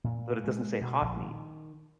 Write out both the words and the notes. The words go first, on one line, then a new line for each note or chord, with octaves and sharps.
But it doesn't say, "hot meat."
A#2
G#3
B2
A#1
D#3